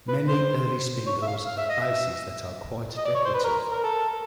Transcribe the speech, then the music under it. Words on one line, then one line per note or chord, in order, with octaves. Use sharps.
Many early spindles have bases that are quite decorative.
B4
C5
C#5
E5
F5
F5
E5
D#5
E5
D#5
D5
C#5
C5
B4
A#4
A#4
A4